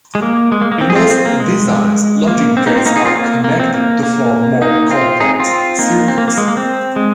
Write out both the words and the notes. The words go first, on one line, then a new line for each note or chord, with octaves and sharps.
In most designs, logic gates are connected to form more complex circuits.
G#3
A#3
G#3
A#3
A#3
C4
G#4
C4 F4
C4
A#3
G#3
A#3
C4
A#3 D#4
C4
A#3 D#4
D#4 G#4
C4 F4
A#3
A#3
C4
A#3
A#3
A#3 D#4
C4 F4
D#4 G#4
C4 F4
A#3 D#4
C4
A#3
A#3
G#3
A#3
C4
G#3